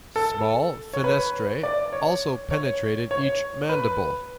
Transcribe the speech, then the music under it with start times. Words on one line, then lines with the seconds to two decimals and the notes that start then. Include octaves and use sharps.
Small fenestrae also penetrated each mandible.
0.16 A4
0.93 C#5
1.04 B4
1.63 D5
1.93 C#5
2.51 C#5
3.11 C#5
3.69 B4